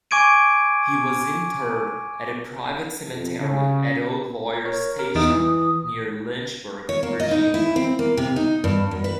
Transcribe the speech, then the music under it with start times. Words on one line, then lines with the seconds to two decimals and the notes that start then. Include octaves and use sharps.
He was interred at a private cemetery at Old Lawyers Station near Lynchburg, Virginia.
0.11 G#5 C#6 D6 G#6 D7 D#7
3.10 F2
3.40 C#3
4.65 A#4 C#5
4.99 G4 A#4
5.15 E2 D#4 D#6
5.30 E3
6.89 C#5
7.03 A#3
7.20 D#5
7.31 D#4
7.54 E4
7.76 C4
7.99 A#3
8.17 C3
8.36 D#4
8.64 G2
8.91 F#2
9.04 B4